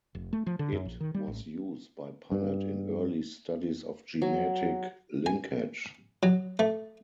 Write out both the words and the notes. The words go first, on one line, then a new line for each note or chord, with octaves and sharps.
It was used by Punnett in early studies of genetic linkage.
F1
A3
F3
D3
F#2
A#1
D#3
G3
A1
G2
F#3
G#5
F#3
A3